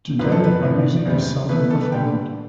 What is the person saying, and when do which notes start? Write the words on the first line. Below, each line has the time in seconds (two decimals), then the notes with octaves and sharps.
Today her music is seldom performed.
0.19 F#2 F#3 C4 E4 B4
0.32 A4
0.44 B4
0.63 A2 E3 B3 D4
0.96 D5
1.06 E2 C3 G3 C5
1.49 B2 A3 E4 B4
1.59 B4
1.70 A4
1.81 B4
1.92 D3 G3 D4 G5